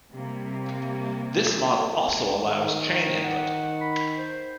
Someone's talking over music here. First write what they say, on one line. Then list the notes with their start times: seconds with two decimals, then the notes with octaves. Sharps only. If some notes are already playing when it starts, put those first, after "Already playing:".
This model also allows chain input.
0.12 C3 G3 A#3
2.43 D#3
3.24 F#5
3.81 B5
4.17 C5